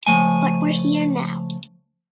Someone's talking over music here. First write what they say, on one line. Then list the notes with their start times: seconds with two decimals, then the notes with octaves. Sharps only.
But we're here now.
0.07 C#2 G#2 F3 A3 G#5